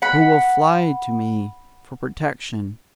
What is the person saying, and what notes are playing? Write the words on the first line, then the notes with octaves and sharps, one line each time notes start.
Who will fly to me for protection?
F#5 B5